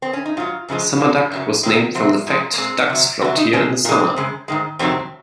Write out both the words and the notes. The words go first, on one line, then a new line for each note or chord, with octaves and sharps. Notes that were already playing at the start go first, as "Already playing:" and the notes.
Sumerduck was named from the fact ducks flocked here in the summer.
C4
C#4
D#4
G#2 F#3 F4
F#2 C#3 F3 G#3
A#2 G#3 A#3
F#2 C#3 F#3
C3 D#3 G#3 C4
C3 F#3 C4
G#2 F3 G#3
A#3
A#2 G#3 C4
C3 F#3
C3 F#3 F#4
D#4
F#2 F3 G#3 C#4
A#2 G#3
C4
F#2 C#3 G#3
G#2 D#3 G#3
F2 C3 D#3 F#3 C4